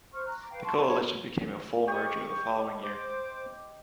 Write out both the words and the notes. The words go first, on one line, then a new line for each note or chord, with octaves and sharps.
The coalition became a full merger the following year.
C5 C#6 F6
A#5 F#6
D6
B4 F5 G5
A5 C6 C#6
E4 C#5
G4 D#5 C#6
C5 D6